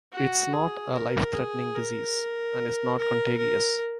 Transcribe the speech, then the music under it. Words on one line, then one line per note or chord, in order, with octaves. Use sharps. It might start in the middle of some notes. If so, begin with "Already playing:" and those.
It is not a life-threatening disease and is not contagious.
F#4
G#4
A#4
G#4
A#4
A#4
A#4